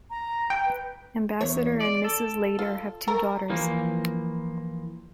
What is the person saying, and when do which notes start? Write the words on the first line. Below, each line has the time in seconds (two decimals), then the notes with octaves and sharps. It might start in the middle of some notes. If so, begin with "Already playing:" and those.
Ambassador and Mrs. Lader have two daughters.
0.10 A#5
0.50 G5
0.65 B4
1.41 E2 C#5
1.80 D5
2.04 A4
2.59 F4
3.08 A3 A#4 A#5
3.50 E3 F3 A#3